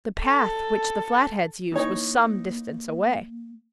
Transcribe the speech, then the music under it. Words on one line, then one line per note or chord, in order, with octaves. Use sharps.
The path which the Flatheads used was some distance away.
A4
E3 A#3 D#4 C#5